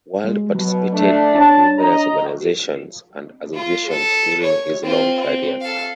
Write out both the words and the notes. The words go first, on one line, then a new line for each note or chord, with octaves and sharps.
Ward participated in numerous organizations and associations during his long career.
G#3
B2 F#3
A3 D4
D4 C#5 A5
D#5 A#5
F4
A4
C#5
C4 F4
C4
A4 F5